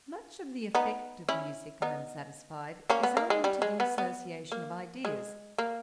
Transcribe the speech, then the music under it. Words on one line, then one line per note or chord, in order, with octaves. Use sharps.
Much of the effect of musick, I am satisfied, is owing to the association of ideas.
B3 D#4
C#4 E4
B3 D#4
A#3 C#4
B3
A#3
G#3
G3
G#3
B3
B3
A#3
G#3
A#3